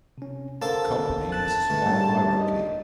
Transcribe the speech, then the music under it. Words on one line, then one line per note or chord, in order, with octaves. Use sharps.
The company has a small hierarchy.
C3 C#4
D3 A#3 A4 C5 F#5 A5
A5 F#6
D3 G#3 A3 B4
G2 G3 A#3 C#4 E5
D#4 D#5